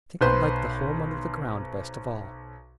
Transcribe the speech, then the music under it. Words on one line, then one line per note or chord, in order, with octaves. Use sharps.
"I think I liked the home under the ground best of all."
B1 B4 C5 C6